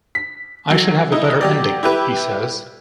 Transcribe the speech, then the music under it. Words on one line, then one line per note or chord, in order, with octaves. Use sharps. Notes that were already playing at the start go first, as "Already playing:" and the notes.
'I should have a better ending,' he says.
B6
F#3
D#4 E4
F#3 G4 D5
E4 G4 B4